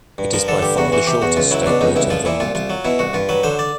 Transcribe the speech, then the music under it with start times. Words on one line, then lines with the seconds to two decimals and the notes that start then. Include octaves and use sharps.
It is by far the shortest state route in Vermont.
0.18 G2
0.33 F3 A#4
0.48 D3 A4
0.62 G2 G4
0.77 E2 F#4
0.92 E3 F#4
1.07 C3 G4
1.22 E2 F#4
1.37 C#2 F4
1.51 F#3 E4
1.66 B2 D4
1.81 C#2 D#4
1.96 C2 E4
2.10 F3 F4
2.25 A#2 E4
2.40 C2 F4
2.55 C2 F4
2.70 F#3
2.85 B2 E4
2.99 C2 F#4
3.13 G2 F4
3.29 F#3 B4
3.43 D3 C5
3.59 D5